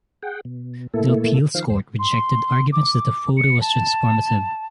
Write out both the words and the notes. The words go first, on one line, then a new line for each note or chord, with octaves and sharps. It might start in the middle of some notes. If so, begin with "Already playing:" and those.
The appeals court rejected arguments that the photo was transformative.
G#4 F#5 G5
B2
A#2 A3 A#3 E4 A4
D#3 F3 C5 F5
E2 C5
C6
D6
C#7
A5